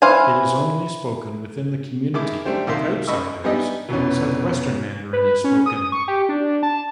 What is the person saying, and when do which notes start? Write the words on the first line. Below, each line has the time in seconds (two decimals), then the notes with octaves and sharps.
It is only spoken within the community; with outsiders, Southwestern Mandarin is spoken.
0.02 E3 C5 F5 G#5
2.14 D#3 G#3 E4 D6
2.45 G3 A3 D4 G4 C5
2.67 C2 D#3 A#3 E5 C6
3.07 F#2 D#5 B5 C#6 E6
3.44 E3 G3 B3 D4 D#4 D#5
3.89 F1 B2 E3 C#4
5.13 B4
5.44 C#4
5.66 D#6
5.92 C#6
6.08 G4
6.29 D4
6.63 A5